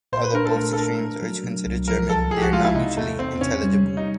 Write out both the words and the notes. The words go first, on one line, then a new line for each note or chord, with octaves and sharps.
Although both extremes are considered German, they are not mutually intelligible.
A#2 C5
B4
D4 A#4
A4
A3 A#4
A4
D4 A#4
A3
F#3
B2
C2
F3 A#4
C#2 A4
F3 G#4
G4
F#4
G#3 F4
E4
C3 D#4
E2 A3
E2 C4
C3 C#4
G3
G3
D#4